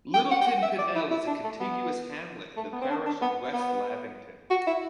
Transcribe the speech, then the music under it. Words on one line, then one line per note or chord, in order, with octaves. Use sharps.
Littleton Panell is a contiguous hamlet in the parish of West Lavington.
G5
F#5
G5
F#5
E5
D5
E4
E4
D4
A3
B3
A3
B3
C4
D4
D4
B3
B3
F#4
E4